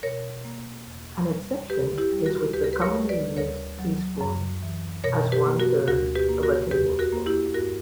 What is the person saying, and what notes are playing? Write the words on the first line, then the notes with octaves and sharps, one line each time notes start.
An exception is with the commonly used teaspoon as one-third of a tablespoon.
B2 A#4 C#5
A#3
E2
G3
D2 G4 B4
E4 G4
G3
F#4 A#4
D2 G4 B4
A#4
B4
A#4 C#5
G3
B4 D5
D2 A#4 C#5
F#3
F#2
E3
B2 A#4 C#5
G4 B4
A#3
F#4 A#4
D2 F#4 A#4
G4 B4
A#3
F#4 A#4
E2 G4 B4
F#4 A#4
A#3
E4 G4
G2 F#4 A#4